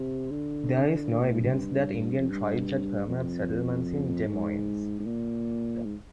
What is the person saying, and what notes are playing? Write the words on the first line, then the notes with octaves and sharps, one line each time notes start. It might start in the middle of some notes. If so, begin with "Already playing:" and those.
There is no evidence that Indian tribes had permanent settlements in Des Moines.
Already playing: C3
D3
D3
A#2
G#2
G2
F2
G2
F2
G#2
G#2
A#2
G#2